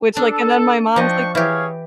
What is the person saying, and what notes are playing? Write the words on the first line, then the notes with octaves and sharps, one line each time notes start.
Which, like, and then my mom's like
D4 A4
F3 D4 D#5 G5 C#6
E3 G4 G#4 C#5 F5